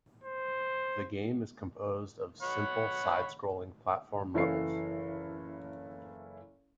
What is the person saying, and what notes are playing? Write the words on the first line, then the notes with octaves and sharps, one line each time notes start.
The game is composed of simple side-scrolling platform levels.
C5
C#5 F#5 B5
F#1 E3 E4 A4 F5 C7